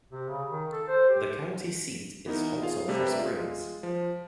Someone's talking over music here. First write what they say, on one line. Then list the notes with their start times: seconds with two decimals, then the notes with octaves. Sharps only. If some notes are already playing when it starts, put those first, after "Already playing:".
The county seat is Hot Sulphur Springs.
0.12 C3
0.28 C#3
0.51 D#3
0.72 A4
0.88 C5
1.10 G4
2.26 E3 B3 D#4 A#4
2.62 F4 G#4 F5
2.88 C3 G3 A3 D4
3.03 B4 D5 E5 G5 A#5
3.18 G#3 F4
3.83 F3